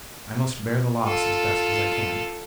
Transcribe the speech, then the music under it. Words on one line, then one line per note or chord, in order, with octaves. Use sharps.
I must bear the loss as best as I can.'
F4 A4